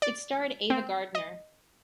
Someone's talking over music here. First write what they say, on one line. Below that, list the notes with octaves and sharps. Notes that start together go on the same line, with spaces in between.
It starred Ava Gardner.
D5
C4
D#5